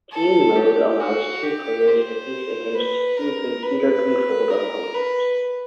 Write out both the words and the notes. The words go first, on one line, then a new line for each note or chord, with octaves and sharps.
Team mode allows two players to face against two computer-controlled opponents.
A4
G4
F#4
G4
C5
B4
A#4
B4
A#4
B4